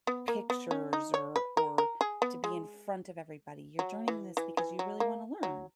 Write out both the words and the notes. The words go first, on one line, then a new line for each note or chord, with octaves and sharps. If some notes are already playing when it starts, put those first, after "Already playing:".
pictures or or to be in front of everybody, you're doing this because you really wanna learn,"
B3
A#3
B3
C#4
D#4
C#5
B4
A#4
A#4
G#4
B3
G#3
F#3
E3
E3
E3
F#3
A#3
F#3